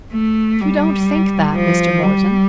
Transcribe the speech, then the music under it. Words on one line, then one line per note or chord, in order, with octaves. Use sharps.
"You don't think that, Mr. Morton."
A3
G3
F3
G3